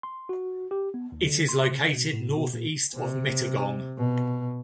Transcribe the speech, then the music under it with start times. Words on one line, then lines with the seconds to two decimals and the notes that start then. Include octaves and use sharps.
It is located north-east of Mittagong.
0.03 C6
0.29 F#4
0.71 G4
0.94 B3
1.12 D#2
1.27 D3
1.49 C6
1.71 C#3
1.93 B2
2.13 A2
2.37 B2
2.54 A#2
2.96 C3
3.98 B2